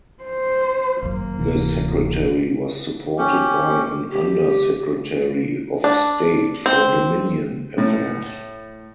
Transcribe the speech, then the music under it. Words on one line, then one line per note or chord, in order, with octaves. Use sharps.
The Secretary was supported by an Under-Secretary of State for Dominion Affairs.
C5
G#1 F#2 A#3
D1 C3 E3
C#4 G4
G4
D4
C4
A2